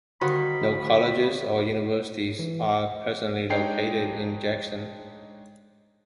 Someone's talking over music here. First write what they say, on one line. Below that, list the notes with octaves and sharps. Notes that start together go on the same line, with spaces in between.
No colleges or universities are presently located in Jackson.
D3 D#3 G3 A#3 F#4 C5 B5
E3
G#3 D4 D#4 C#5 G5 C7